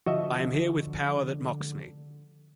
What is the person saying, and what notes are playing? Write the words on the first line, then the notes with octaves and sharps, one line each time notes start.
I am here with power that mocks me.
D3 F3 F#4 D#5 E5